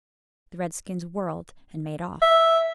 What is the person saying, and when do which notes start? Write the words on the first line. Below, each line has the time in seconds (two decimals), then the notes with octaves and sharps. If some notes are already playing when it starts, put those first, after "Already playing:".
The redskins whirled and made off.
2.22 E5